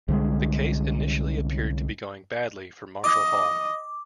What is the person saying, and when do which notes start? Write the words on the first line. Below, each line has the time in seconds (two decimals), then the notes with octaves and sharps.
The case initially appeared to be going badly for Marshall-Hall.
0.08 C2 D3 F3 G#3
3.04 D#5 D6